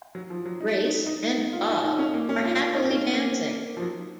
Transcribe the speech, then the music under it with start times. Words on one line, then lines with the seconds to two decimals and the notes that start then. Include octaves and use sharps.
Grace and Bob are happily dancing.
0.15 F#3
0.30 F3
0.45 F#3
0.61 D#4
1.07 D#4
1.53 F4
1.68 D#4
1.83 D#4
1.99 C#4
2.14 A#3
2.29 C#4
2.45 F4
2.60 F4
2.75 D#4
2.90 C#4
3.13 A#3
3.77 F3
3.82 F#3